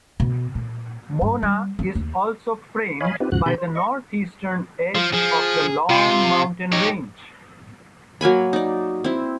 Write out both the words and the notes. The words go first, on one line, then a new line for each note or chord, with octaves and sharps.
Mona is also framed by the north-eastern edge of the Long Mountain range.
B2
A#2
G2
G3
C#4
D#2
C#5 D#5 F5 G#5 B5
C4 D#4 F4 G4 B4
D#2 G#2 C#3 F3 F#4 F#6
B2 D#3 G4 A5 B5 G6
C5
D#5 C#6
F3 F4
F3 G#4
C3 F4
D#4 G4 C#5
F#3 A#3 G#5 B5
D#4 D5
C4 E4